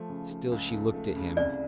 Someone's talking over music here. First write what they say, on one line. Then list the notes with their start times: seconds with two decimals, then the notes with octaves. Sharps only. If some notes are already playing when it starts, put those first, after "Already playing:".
Still she looked at him.
Already playing: F3 A3
0.09 C#3
0.30 A3
0.52 C#2
0.72 A3
0.94 A3
1.16 C#3
1.37 C2 D5